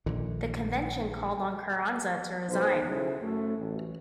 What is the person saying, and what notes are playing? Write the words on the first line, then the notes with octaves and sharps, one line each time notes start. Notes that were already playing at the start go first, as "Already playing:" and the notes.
The Convention called on Carranza to resign.
A#1 A#2 D3 D#3
B1 C5
C#3 E4 A4 C5
F#2 A3
A1